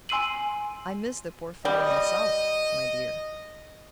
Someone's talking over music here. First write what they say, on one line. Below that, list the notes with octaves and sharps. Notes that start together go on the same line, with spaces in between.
I miss the poor fellow myself, my dear.
G#5 C6 E6 C7 D#7 F#7
G3 D#5